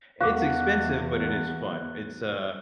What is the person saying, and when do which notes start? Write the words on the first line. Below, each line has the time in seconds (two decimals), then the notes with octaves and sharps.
It's expensive, but it is fun, it's, uh
0.21 E2 F#4 F5 D6